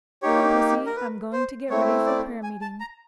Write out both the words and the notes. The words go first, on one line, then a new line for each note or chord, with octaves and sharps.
Come, pussy, I'm going to get ready for prayer meeting.
A#3 D#4 G4 C#5
A#4
B4
C5
A3 C4 E4 C#5
D5
G#5
A5
A#5